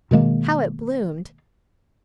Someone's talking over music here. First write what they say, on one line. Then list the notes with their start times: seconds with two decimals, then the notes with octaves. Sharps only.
How it bloomed!
0.11 B2 D#3 G#3 A#3